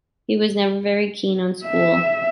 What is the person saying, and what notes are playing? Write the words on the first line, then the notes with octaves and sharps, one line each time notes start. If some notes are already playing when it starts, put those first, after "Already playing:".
He was never very keen on school.
E5